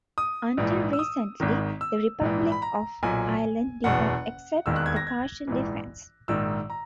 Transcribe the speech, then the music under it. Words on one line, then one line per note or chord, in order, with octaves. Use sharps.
Until recently, the Republic of Ireland did not accept the partial defense.
D#6
A#1 G#2 E3
E6
D#6
G#1 G#2 D#3
E6
A#1 G#2 E3
B5
A#5
B1 A#2 G#5
F#1 E2 B2 F#5
E1 D#2 D#3 E6
F#6
G#6
A#6
G#6
A#1 G#2 E3
A#1 G#2 D#3 E6
A#5